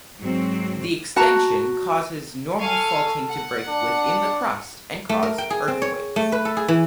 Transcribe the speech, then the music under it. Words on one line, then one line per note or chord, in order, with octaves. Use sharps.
The extension causes normal faulting to break within the crust and cause earthquakes.
G#2 F#3 C4
F#4 A5 A#5
A4 F5 G#5 C#6
F#5
D4
A3
A#4
G5
G#4
C4
C#5
A3
B4
A4
G#4
E3